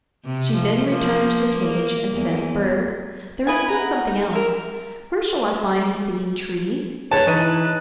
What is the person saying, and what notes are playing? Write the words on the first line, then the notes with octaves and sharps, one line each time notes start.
She then returned to the cage, and said: "Bird, there is still something else, where shall I find the Singing Tree?"
C3
F3
F3 A#3
A#3
E2
E4 B4 D#5 G#5
F#5 A#5
D#4
A#4 E5
B4 C#5 A5
E3 D#4 B4 D#7